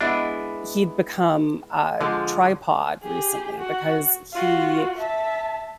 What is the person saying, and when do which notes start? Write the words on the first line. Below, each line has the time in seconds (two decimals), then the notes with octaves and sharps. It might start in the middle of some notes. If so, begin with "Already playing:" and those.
he'd become a tripod recently because he
0.01 G#3 B3 D4 E4
2.01 D3 F3 G#3
3.03 G4 G#4
3.58 F#4
4.33 F4 F#4
4.98 E5 A5